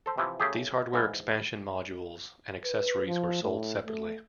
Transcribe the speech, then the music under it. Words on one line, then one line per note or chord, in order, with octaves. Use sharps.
These hardware expansion modules and accessories were sold separately.
A4 C5
C3 E3 F3
C#3 A3 G4 G#4
G#2 E3 F5
B4
F3
A2
A3